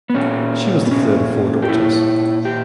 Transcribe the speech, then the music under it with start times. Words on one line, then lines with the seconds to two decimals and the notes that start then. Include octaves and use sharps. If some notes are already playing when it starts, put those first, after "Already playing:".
She was the third of four daughters.
0.10 B3
0.15 A#2 C#4
0.85 B3
0.91 C#4
1.62 G4
1.68 A#2 E4
2.45 G4